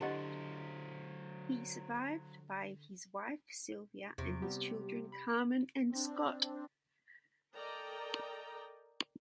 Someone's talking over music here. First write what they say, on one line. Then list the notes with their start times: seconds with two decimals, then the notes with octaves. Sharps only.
He was survived by his wife, Sylvia, and his children Carmen and Scott.
0.01 D3 F#3 E4 G4 C5 D#5 F#5
4.18 E2 C3 C#6 D7
4.42 G3 B3 G4
5.12 B5
5.91 C4 D4
7.55 A4 A#4 D5 D#5 G5 A#5